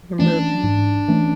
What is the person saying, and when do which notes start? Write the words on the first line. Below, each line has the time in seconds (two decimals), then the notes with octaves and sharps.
You're moving.
0.19 E3 A3 C#4 D4
0.63 G#2
1.08 E3 A3 C#4